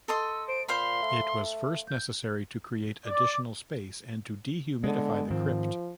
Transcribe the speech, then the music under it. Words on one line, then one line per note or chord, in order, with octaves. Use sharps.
It was first necessary to create additional space and to dehumidify the crypt.
A4 D#5 C6 E6
C5 D7
A#2 C5 F5 B5 C6
A3
G6
D5
D3 G#3 B3
G#2 D#3 F3 C4